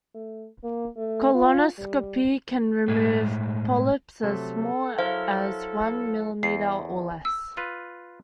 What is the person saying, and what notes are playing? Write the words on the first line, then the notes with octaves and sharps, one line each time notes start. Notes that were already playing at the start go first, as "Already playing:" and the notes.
Colonoscopy can remove polyps as small as one millimetre or less.
A3
A#3
A3
F4
G3
A2 G#3
C3 F#3 A3 A4
F#3 E4 A#4 C5 F5
E2 C7
E6
F4 B4